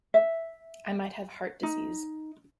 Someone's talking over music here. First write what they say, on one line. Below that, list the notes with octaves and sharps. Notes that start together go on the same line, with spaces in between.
I might have heart disease.
E5
D#4